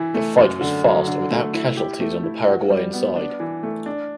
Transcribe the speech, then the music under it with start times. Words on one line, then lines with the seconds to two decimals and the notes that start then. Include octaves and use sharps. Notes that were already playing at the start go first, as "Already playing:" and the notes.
The fight was fast and without casualties on the Paraguayan side.
Already playing: E3 E4
0.14 A3
0.38 F#2
0.61 D3
0.84 F#3
1.07 D3
1.31 A3
1.54 E4
1.77 G4
2.00 A3
2.23 E4
2.46 F#4
2.70 G3
2.93 B3
3.16 D4
3.40 E3
3.63 A3
3.86 D4